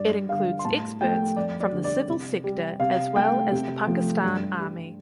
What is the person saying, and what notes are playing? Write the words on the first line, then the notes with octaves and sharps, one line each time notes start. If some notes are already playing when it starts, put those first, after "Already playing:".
It includes experts from the civil sector as well as the Pakistan Army.
Already playing: G2 D5
D3 G3 F5
C6
A2 A5
F3 A3 G5
F2 D5
D5
D3 G3
D5
C3
G3
C3 F5
A3 G5
C3
F3 A3
G2
G3